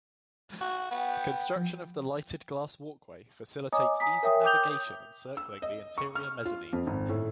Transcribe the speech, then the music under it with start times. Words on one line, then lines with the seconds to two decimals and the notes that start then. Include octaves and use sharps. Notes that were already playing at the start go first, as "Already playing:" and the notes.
Construction of the lighted glass walkway facilitates ease of navigation encircling the interior mezzanine.
0.61 F#4
0.91 B3 G5
1.56 F3
3.72 C#5 D#5 G#5 A#5 D6 D#6
4.00 G#5 A#5 D#6 B6
4.23 A#4 C#5 E5 G5 D#6
4.44 G5 D6 D#6 G6 F7 G7
5.37 E6
5.62 D#5
5.98 C#6
6.15 F6
6.45 F4
6.73 F2
6.87 G#1
7.09 A2